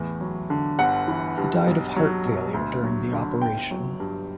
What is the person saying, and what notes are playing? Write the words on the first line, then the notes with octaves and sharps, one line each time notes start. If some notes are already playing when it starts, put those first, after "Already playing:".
He died of heart failure during the operation.
Already playing: E2 A2
F#3
D3
G1 F#5
E3
G2
B1
F#3
B2
D2
F#3
D3
G1 G5
F#3
G2